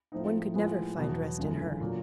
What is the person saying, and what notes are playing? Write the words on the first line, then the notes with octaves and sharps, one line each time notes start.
One could never find rest in her.
A2 F3 A3 C4 D#4
A2 F3 G#3 B3
E2 B2 F#3 B3
G1 F#2 C#3 E3 G#3
A#2 F#3